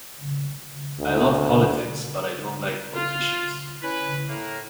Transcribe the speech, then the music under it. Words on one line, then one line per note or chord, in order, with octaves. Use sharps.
I love politics but I don't like politicians.
D2
F4
C#4 E4 B4
A2 A#3